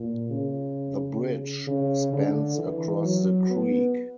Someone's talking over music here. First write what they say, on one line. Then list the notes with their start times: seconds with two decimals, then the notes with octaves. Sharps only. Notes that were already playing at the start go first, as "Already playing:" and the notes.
The bridge spans across the creek.
Already playing: A#2
0.30 C#3
1.67 C#3
2.13 D3
2.58 E3
3.03 F#3
3.50 B3